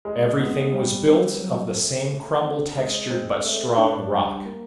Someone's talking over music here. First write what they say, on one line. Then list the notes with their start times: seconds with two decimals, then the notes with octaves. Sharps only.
Everything was built of the same crumble-textured but strong rock.
0.05 G#3
0.39 B3
0.72 G3
1.07 C4
1.40 F#3
1.74 A3
2.08 A3
2.42 C4
2.76 G#3
3.10 C4
3.44 A3
3.78 D4
4.11 G3
4.45 A#3